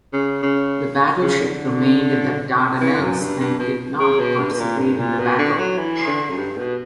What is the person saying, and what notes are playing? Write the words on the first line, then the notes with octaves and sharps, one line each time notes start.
The battleship remained in the Dardanelles and did not participate in the battle.
C#3
C#3
C#3
D3
E3
F#2
G2
G2
B2
C#3
B2
G2
B2
A#2
G2
A#2
B2
D3
F#3
E3
D3
F#2
G2
B2